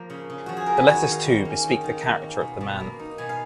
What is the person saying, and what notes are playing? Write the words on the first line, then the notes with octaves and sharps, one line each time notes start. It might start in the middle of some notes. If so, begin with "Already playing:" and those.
The letters, too, bespeak the character of the man.
Already playing: F3 A#3
C#3
C#3
F3 F#4
G#4
A#3 A#4
B4
D#3 C#5
D#3
F5
A#3
C#4
D#3
D#3
A#3
C#4
B2
B2
A#3
D#4
B2 G#5
F5